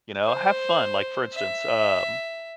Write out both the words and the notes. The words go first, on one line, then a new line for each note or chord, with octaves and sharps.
You know, have fun. Like, for instance, um,
C5
E5